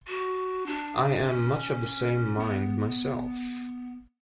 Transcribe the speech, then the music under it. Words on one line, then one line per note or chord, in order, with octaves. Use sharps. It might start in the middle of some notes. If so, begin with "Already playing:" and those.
I am much of the same mind myself.
F#4
D4
C#4
B3